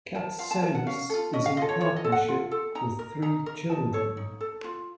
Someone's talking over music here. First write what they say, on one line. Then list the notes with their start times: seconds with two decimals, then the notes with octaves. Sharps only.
Katsonis is in partnership with three children.
0.15 A#4 A5
0.39 F4 F5
0.51 A5
0.63 A#4 A5
0.75 F#5
0.86 C#4 F5
1.10 F4 A4
1.33 C#4 D#5
1.46 F5
1.57 F4 A4 D#5
1.69 C#5
1.81 F4 C#5
1.96 D#5
2.04 A4
2.12 F#5
2.28 F4
2.51 A4
2.75 D#4 A#5
2.99 A#4
3.22 D#4 A#5
3.46 A#4
3.70 D#4 A5
3.93 A4 C#5
4.17 D#4
4.40 A4
4.64 F4